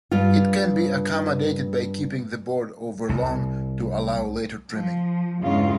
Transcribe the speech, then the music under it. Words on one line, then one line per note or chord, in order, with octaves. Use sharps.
It can be accommodated by keeping the board overlong to allow later trimming.
G2 F4
C2
F3
E2 G2 C#3 G#3 F4